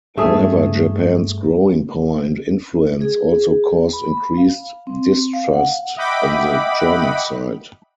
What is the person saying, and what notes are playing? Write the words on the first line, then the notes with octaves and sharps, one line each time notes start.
However, Japan's growing power and influence also caused increased distrust on the German side.
G2 A3 G#4
G#4
B5
F5
C4
F5
F#5
D#5 E5 F#5 G5 B5 D6